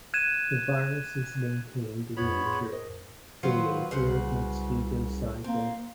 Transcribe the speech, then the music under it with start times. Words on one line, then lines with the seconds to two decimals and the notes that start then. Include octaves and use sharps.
The virus is maintained in nature through a bird-mosquito cycle.
0.14 F#6 G#6 D#7 E7
2.17 F2 B3 F4 C#5 B5
2.44 A2 G#4 C6
2.72 A#4 C5 D#5
3.43 D#3 F#3 F4 B4 C5 F#5
3.91 C2 C#3 C5 F#5
5.44 A#3 C4